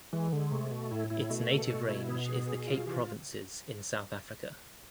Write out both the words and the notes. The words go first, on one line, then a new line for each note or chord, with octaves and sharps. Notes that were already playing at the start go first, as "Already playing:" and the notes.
Its native range is the Cape Provinces in South Africa.
E3 G#3
D3 G#3
C3 A3
C3
B2 A3
A2 E4
A2 E4
B2 A3
A4
A3
E4
B3
G#4
G#4
F4
C3 E3